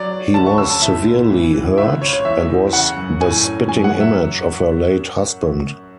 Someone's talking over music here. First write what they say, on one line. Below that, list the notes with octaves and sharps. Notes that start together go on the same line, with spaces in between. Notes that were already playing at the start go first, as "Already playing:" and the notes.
He was severely hurt, and was the spitting image of her late husband.
Already playing: F#3 D5
F#3
D2 A5
C#6
C#3 E6
A5
A2 E5
A2
E3
E3
C#2 E5
C#2 C#5
C#5
E2 E5
E2
C#3 F#5
F#2
A2 G#5
C#4
F#2 G#5
F#5
F#3
E5